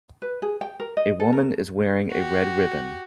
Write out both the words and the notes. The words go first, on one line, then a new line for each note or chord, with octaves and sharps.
A woman is wearing a red ribbon.
B4
G#4
G5
A#4
D#5
A4
A#4
F#4 G4